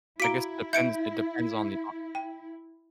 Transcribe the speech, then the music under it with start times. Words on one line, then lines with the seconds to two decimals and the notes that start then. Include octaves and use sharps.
I guess it depends it depends on the, uh
0.20 E4 F#4 F5 A#5 B6 D7
0.73 E5 G6 C#7 D7
2.15 G5